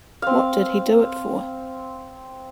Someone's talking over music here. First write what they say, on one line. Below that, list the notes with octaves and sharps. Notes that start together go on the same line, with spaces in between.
What did he do it for?
C4 F5